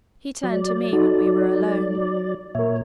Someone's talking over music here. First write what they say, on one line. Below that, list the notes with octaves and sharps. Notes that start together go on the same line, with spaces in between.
He turned to me when we were alone.
F#3 D5
D#4 F#4 A4
A#2 A#4 C#5 E5